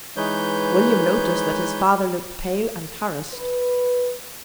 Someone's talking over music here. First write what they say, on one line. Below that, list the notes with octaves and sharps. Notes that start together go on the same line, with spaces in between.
William noticed that his father looked pale and harassed.
E3 G#3 D#4 B4 C#5 G6
B4